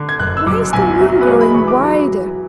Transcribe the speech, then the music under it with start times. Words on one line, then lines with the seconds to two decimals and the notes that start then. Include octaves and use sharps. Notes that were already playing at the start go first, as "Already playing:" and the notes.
Why is the room growing wider?...
Already playing: D3
0.09 G#6
0.19 F#1 F#6
0.37 E6
0.46 F#2 D6
0.73 B1 G#5
1.01 F#3 E5
1.21 B4
1.27 G#3 C#5
1.41 B5
1.54 E3 C#6
1.68 D6
1.81 F#3
2.08 F#3